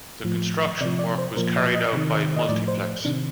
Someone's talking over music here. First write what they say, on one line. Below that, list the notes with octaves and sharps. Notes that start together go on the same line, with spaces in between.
The construction work was carried out by Multiplex.
A2 F3
C3 F3 D5
D5
C5
A#2 F3 A#4
D5
D#5
C3 D#3
D#5
A2 F3 D5
C5
C3 D#3 D4